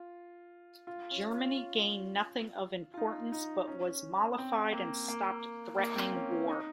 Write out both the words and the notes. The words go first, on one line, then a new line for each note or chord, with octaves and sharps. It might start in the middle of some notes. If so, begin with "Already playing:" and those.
Germany gained nothing of importance but was mollified and stopped threatening war.
Already playing: F4
F4
C#4
F4
F4
F4
D#4
D#4
C#4
C4
A#3
A#3
A#3
C4
C#4
C#4
D#4